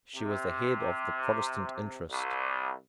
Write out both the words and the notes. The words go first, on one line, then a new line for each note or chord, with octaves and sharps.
She was the head of the Protestant interest.
C3
C2